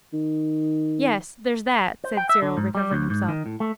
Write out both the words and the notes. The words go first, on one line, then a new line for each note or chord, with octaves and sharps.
'Yes, there's that,' said Cyril, recovering himself.
D#3
C5
G5
E5
D3
G#2
G3
D2
G#2
D#3
A2
A3